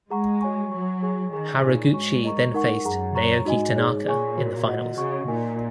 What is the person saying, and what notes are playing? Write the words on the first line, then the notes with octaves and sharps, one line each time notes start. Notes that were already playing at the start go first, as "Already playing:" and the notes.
Haraguchi then faced Naoki Tanaka in the finals.
G#3 G#4 F#5 A#5 C#6
F#4 C#5 G#5 C#6
F#3 C#5 G#5 C#6
G#4 C#5 G#5 C#6
D#3 G#4 D#5 G#5 C#6
A#2 D#4 G#4 C#5 G#5 C#6
G#2 F#4 C#5 G#5 C#6
A#4 D#5 A#5 C#6
D#4 A#4 F#5 C#6
F#2 G#4 F#5 A#5
C#5 A#5 C#6
G#2 D#4 F#4 D#5 G#5
D#4 G#4 C#5
A#2 G#4 C#5 G#5 C#6
F#4 A#4 C#5
F#4 D#5 F#5
C#3 F#4 D#5 F#5 C#6
A#2 D#4 A#4 D#5 G#5